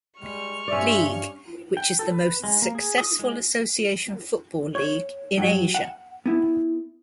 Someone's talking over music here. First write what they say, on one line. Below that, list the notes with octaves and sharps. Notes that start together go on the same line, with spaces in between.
League, which is the most successful association football league in Asia.
G3 G#3 C#6 F6
G2 C#4 C5 D5 E5
G5
A4
B4
G#3
A#3
G#4
D#6
G#3
C#5
G2 F#3
F#5
B3 E4